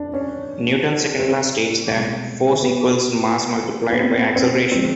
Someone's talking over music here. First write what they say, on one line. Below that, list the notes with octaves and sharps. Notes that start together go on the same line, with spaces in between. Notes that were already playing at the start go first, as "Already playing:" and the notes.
Newton's Second Law states that force equals mass multiplied by acceleration.
Already playing: F2 D4
C#4
C4
C2 B2 G#3
B3
B3
C4
C4
D3 F3 G#3 C4